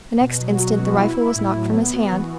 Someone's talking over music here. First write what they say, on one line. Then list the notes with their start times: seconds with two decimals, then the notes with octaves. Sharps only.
The next instant, the rifle was knocked from his hand.
0.21 B2
0.40 F#3
0.59 F#4
0.78 B2
0.97 E4
1.16 E4
1.36 A2
1.54 F#3
1.74 B3
1.93 F#4
2.12 E3